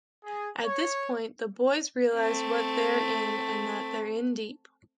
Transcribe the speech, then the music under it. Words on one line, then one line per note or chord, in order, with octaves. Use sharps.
At this point, the boys realize what they're in and that they're in deep.
G#4
C#5
A3 C4